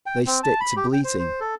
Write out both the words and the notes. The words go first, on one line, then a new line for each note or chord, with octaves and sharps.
They stick to bleating.
G5
C4
A5
B5
G4
G5
C5
C5
A4